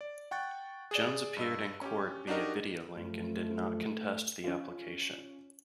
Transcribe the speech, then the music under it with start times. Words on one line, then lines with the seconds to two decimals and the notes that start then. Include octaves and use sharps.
Jones appeared in court via video-link and did not contest the application.
0.01 D5
0.31 F#5 G5 C#6 F#6 A6
0.91 G#4 D5
1.37 G2 D#5 E6
1.81 C#4 G4
2.27 D4 D#4 F#4 G4 A#4 D#5
2.96 F#2 F3 A3
4.44 C#4 F4